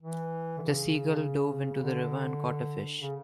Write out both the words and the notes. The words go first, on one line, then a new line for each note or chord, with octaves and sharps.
The seagull dove into the river and caught a fish.
E3
D3
C#3
C#3
D3
C#3